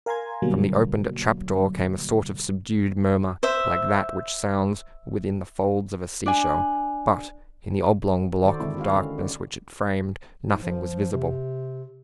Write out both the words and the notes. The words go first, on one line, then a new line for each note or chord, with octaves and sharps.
From the opened trap-door came a sort of subdued murmur, like that which sounds within the folds of a sea-shell, but, in the oblong block of darkness which it framed, nothing was visible.
A#4 F5 G#5 A#5 C6 G#6
B2 D3 F#3 G3 A#3
C5 E5
D4 G#5
D#3 F#4 A4 C5 D5
D3 D#3 G#3 C4 E4
C4 F#4 G#4 F5
D3 C#4
D5
G#2
F3
C3